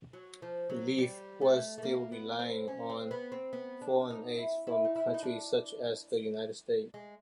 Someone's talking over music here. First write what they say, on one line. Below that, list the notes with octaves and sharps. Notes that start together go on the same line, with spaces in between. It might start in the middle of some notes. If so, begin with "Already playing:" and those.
Relief was still relying on foreign aid from countries such as the United States.
F#3
F3
F#3
G3
A3
A3
A#3
B3
C4
C#4
C4
B3
C4
B3
D4
D#4
E4
E4
D#4
E4
D#4
D4
G#3